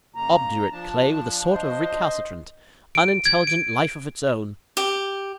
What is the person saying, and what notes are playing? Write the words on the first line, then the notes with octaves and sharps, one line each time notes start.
"Obdurate clay with a sort of recalcitrant, unintelligent life of its own."
F2 C#3 A#3 A#5
F3 D4 A5
C5 D#5
D7
G#6
D7
G4